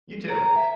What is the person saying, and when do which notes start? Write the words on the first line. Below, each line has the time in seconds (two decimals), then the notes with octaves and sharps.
You too.
0.29 A#5
0.56 E5